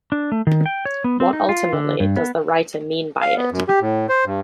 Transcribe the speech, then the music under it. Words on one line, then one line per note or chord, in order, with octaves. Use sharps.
What, ultimately, does the writer mean by it?
D4
A3
D#3
G5
C#5
B3
C4
D#4
F4
D3
G2
B3
F5
B3
F#2
G4
A2
C5
G2